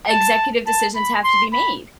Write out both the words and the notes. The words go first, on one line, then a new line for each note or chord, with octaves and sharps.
executive decisions have to be made,
A5
A5
B5
C6
B5